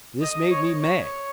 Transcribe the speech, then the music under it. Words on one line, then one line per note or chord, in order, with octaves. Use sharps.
This made me mad.
D#5
C#5
C#5